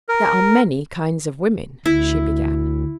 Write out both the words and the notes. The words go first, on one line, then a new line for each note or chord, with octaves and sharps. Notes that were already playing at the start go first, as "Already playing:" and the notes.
"There are many kinds of women," she began.
A#4
D2 E4